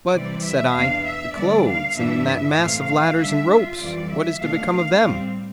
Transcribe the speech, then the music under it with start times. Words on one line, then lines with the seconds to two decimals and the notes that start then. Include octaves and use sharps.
"But," said I, "the clothes, and that mass of ladders and ropes, what is to become of them?"
0.13 C3 E3 G3 C4 D5
0.43 E5
0.74 E2 B2 B3 D4 F5
1.04 E5
1.36 D3 G3 B3 D4 D5
1.67 F5
1.96 G2 E3 B3 D4 E5
2.58 A2 E3 A3 C4 F5
3.18 D3 G3 D4 E5
3.50 F4
3.80 F2 E3 G3 D5
4.11 E5
4.41 B2 A3 D4 F5
4.72 F5
5.03 A2 G3 C4